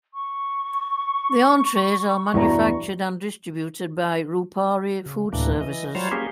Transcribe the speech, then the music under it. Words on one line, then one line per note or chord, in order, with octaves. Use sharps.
The entrees are manufactured and distributed by Rupari Food Services.
C#6
E2 G2 B2 E4 D5 A#5
C#3
D2 A2 C3 E3 A#3 D4
E3 D#5
F#3 G3 F4 C5 C#5
A#3 C#4 G4 G#4